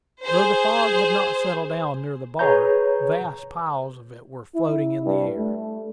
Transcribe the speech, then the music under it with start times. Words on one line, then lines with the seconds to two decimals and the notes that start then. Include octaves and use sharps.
Though the fog had not settled down near the bar, vast piles of it were floating in the air.
0.25 G#4 C5
2.39 G#4 B4 C#5 A#5 G6
4.55 E4
5.06 G2
5.37 A3